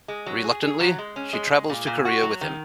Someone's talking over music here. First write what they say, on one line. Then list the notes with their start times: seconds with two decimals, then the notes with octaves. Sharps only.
Reluctantly, she travels to Korea with him.
0.08 G#3
0.26 F#3
0.44 G#4
0.62 G#4
0.80 F#3
0.99 G#3
1.16 C#4
1.33 G#3
1.51 G#3
1.69 A#2
1.87 A#2
2.05 F#4
2.23 F#3
2.41 D#3